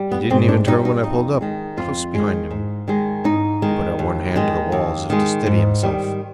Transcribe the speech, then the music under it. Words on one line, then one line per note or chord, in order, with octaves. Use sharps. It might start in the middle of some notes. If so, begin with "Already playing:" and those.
He didn't even turn when I pulled up, close behind him; he put out one hand to the wall, as if to steady himself.
Already playing: G3
B3
G#2 C4
D4
G3 D#4
D#4
F2 D#4
D#3 G#3
F2 F4
D#3 G#3
G#2
D#3 G#3
G#2 D#4
D#3 G#3
D#2
D#3 G#3
D#2
D#3 G#3
G#2
D#3 G3